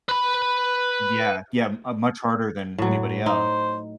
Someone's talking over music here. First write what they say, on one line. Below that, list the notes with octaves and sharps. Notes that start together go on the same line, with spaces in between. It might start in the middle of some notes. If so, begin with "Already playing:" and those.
Yeah. Yeah, uh, much harder than anybody else.
B4 B5
A2 F#3
D#4 C5